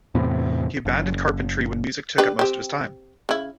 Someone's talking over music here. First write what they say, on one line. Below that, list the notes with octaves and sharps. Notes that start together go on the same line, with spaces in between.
He abandoned carpentry when music took up most of his time.
E2 A2 C3
F#1
D4 G4 B4
C4 G4
C#3 E4